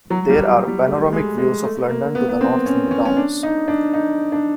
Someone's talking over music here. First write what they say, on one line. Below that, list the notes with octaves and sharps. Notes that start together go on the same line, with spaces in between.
There are panoramic views of London to the north from the Downs.
F#3
G3
F#3
G3
A3
G#3
G#3
A3
A#3
B3
B3
C4
C#4
C#4
C#4
D4
D#4
D4
D#4
D4